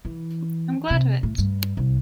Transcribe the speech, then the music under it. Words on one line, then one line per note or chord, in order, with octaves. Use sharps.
I'm glad of it!
E3
C3
A2
G2
C2